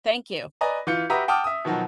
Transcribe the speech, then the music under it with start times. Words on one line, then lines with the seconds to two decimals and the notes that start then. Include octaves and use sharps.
Thank you.
0.61 B4 D5 D#5 G#5 A#5
0.87 E3 F4 G6 C#7
1.10 F#4 G4 B4 E5 A#5 D#6
1.28 F#5 G5 A5 D6 D#6 F6
1.44 E5 D#6
1.65 B2 D#3 F3 F#3